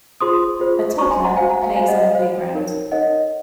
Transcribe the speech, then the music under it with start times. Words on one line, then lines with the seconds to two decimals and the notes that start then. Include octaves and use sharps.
A toddler plays on a playground.
0.21 F4 G#4 C5 C6 D#6
0.60 F4 G#4 C5
0.98 F#4 C5 A#5 C#6
1.11 G#5 C6
1.24 F#5 A#5
1.37 F#4 C5 F5 G#5
1.50 F#5 A#5
1.63 F5 G#5
1.76 F#4 C5 F5 G#5
1.88 D#5 F#5
2.02 F5
2.15 F#4 C5 F5
2.54 D#4 A#4 C#5
2.92 D#4 A#4 C#5 D#5 F#5